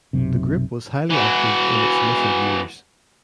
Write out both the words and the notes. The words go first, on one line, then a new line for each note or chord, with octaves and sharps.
The group was highly active in its initial years.
B1 F#2 C3
E3 F#4